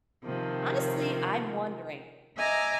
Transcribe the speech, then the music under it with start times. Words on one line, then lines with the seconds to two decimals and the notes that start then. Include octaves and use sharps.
honestly, I'm wondering
0.23 C3 D#3 F3
2.37 D#5 E5 G#5 A#5 D6